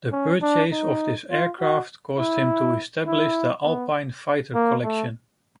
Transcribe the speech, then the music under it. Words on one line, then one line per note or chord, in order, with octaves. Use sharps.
The purchase of this aircraft caused him to establish the Alpine Fighter Collection.
C#4
D4
D#4
F4
F#4
E4
E4
B3
A#3
A3